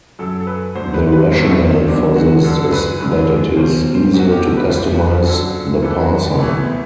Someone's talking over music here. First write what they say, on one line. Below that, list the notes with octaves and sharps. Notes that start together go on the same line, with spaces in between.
The rationale for this is that it is easier to customize the parser.
F#2 F#3 A4
A4
B4
D2 D3 F#3 C5
B4
B4
E2 C3 F#3 C4
A3
B3
C4
E2 D3 F#3 D4
F#4
F#2 D3 F#3 A4
A4
B4
F#2 D3 F#3
E2 B2 F#3 C5
C5
E2 C3 F#3
F#4
G4
A4
B4
C2 C3 E3 C5
B4
F#2 D3 F#3 A4
C2 C3 E3 A4
F#4
D2 C3 E3 A3
B3